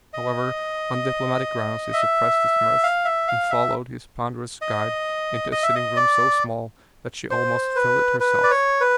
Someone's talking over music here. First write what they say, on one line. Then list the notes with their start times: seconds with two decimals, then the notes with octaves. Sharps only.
However, on diplomatic grounds he suppressed his mirth, and followed his ponderous guide into a sitting-room so small that she almost filled it herself.
0.13 D#5
1.93 E5
2.83 F5
3.05 E5
3.28 F5
3.51 E5
4.61 D#5
5.52 D#5
5.63 E5
5.75 D#5
5.96 D5
7.31 C5
7.76 B4
8.20 B4
8.44 D5
8.51 C#5
8.81 B4